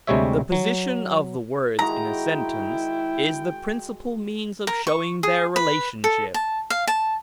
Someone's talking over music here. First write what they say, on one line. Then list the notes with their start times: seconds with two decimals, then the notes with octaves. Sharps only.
The position of the words in a sentence is the principal means of showing their relationship.
0.07 D2 C3 G3 G#3 C#5 E5
0.52 F#3
1.79 D#3 G#3 E4 F#4 G5 A#5
4.67 A#4
4.87 C#6
5.23 G#4
5.56 B4
6.04 A4
6.34 A5
6.70 F5
6.87 A5